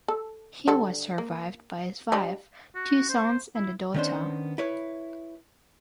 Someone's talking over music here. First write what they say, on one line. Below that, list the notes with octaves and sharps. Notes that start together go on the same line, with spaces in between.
He was survived by his wife, two sons and a daughter.
A4
D3 G3 A4
A#3
G3 D4 D#4
F#4
C5
E4
D#3 B3 C#4 D4 C5
E4 B4 C#5